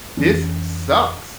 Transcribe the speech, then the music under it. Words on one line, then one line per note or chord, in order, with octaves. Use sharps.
"This sucks."
F2 E3 C#4 D4